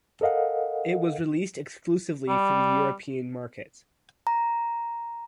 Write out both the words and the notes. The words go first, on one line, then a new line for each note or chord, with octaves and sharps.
It was released exclusively for the European market.
A4 A#4 D#5 F5 F#5
G3
A#5